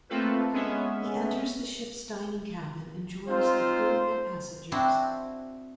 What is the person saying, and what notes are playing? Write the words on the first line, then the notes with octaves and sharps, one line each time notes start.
He enters the ship's dining cabin and joins the crew and passengers.
A3 A#3 C4 F4 A4 B4
G#3 B3 C#4 E5
C4 D#4 F4 C5
C4 D4 E4 F#4 C5